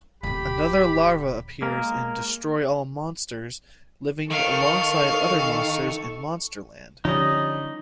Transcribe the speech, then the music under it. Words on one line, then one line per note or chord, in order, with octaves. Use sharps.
Another larva appears in "Destroy All Monsters", living alongside other monsters in Monsterland.
D1 D3 G4 B5
G#3 A#3 A#4
D#3 A4 F5 C#6
D3 F3 G3 C#4 D#4 D#5